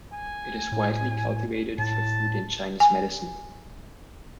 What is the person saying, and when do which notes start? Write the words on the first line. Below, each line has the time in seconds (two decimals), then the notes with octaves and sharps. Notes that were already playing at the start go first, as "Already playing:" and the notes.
It is widely cultivated for food and Chinese medicine.
0.13 G#5
0.72 A2
1.78 A2 A5
2.80 G#5